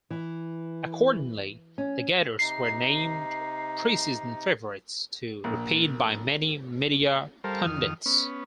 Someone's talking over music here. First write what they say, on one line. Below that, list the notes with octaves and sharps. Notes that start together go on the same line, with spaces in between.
Accordingly, the Gators were named preseason favorites to repeat by many media pundits.
E3
C#4
C3 D#4 C7
A#1
G3 A4 A#4 C5 F5
F2 D#3 D#6 F6
B3 C#4